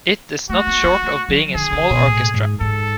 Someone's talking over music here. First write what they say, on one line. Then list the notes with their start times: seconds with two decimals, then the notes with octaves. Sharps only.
It is not short of being a small orchestra.
0.50 A3 F#4
0.67 B3
0.84 B3
1.02 A3
1.29 F#3
1.55 D3 G#4
1.73 C#3
1.91 B2
2.08 A2
2.34 G#2
2.60 G#2 A4